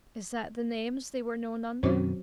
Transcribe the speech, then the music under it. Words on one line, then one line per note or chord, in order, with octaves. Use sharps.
"Is that the names they were known under?"
F#2 B2 D#3 F#3 C4 C#4 F#4 C5